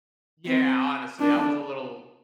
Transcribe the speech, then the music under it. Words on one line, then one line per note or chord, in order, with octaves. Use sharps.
Yeah, honestly, I was a little
C4
D4